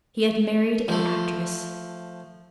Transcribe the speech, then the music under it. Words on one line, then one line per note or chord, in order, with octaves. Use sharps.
He had married an actress!
F3 A3